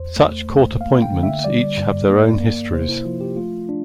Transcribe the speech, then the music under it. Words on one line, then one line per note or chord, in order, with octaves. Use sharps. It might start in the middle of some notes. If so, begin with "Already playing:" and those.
Such court appointments each have their own histories.
Already playing: E2 C5
A3
A3
A#3 F5
G5
D3
E5
G3 D5
G2
A#3
A#3
C3 C5
E4
F3 F4
G4
A3 F4
D4